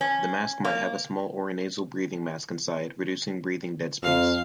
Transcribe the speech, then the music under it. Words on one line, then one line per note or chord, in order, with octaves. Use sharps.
The mask might have a small orinasal breathing mask inside, reducing breathing deadspace.
C#4
A#3
F2 F5